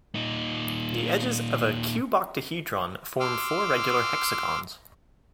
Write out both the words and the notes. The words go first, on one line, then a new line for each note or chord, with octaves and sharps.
The edges of a cuboctahedron form four regular hexagons.
A#2 D#4
C6 D6 E6 F6